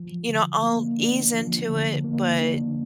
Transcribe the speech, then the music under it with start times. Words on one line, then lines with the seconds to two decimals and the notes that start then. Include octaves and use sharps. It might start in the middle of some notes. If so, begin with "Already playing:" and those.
you know, I'll ease into it, but
Already playing: F3
0.28 D3
0.63 A#3
0.99 D4
1.34 F3
1.69 D3
2.04 A#3
2.40 D4